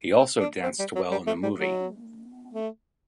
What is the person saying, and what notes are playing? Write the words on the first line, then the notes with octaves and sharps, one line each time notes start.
He also danced well in the movie.
C4
D4
C4
G3
F#3
G3
A3
G3
F#3
A3